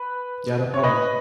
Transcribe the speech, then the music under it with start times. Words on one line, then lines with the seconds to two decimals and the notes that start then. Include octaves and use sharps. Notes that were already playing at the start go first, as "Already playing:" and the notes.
Yeah, no problem.
Already playing: B4
0.74 C#5
0.83 B4 D#5